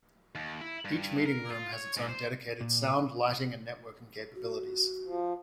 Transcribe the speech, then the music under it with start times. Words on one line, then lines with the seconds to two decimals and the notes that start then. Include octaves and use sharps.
Each meeting room has its own dedicated sound, lighting and networking capabilities.
0.35 D#2
0.61 E4
0.85 G2
1.26 A#4
1.50 F4
1.73 C#5
1.97 G#2
2.09 C5
2.61 A#2
4.35 F#4
5.05 F3